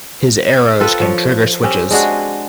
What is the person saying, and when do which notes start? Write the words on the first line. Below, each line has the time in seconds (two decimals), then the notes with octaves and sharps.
His arrows can trigger switches.
0.80 C4 F4 A4 B4
1.00 F3 C#5
1.63 C4 C#4 G4
1.91 G#3 D4 F#4 G#4